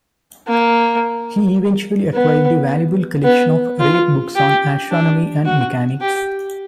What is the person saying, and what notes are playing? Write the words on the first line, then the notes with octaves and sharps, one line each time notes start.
He eventually acquired a valuable collection of rare books on astronomy and mechanics.
A#3
B3
B3
F4
G4
D4
F#4
G4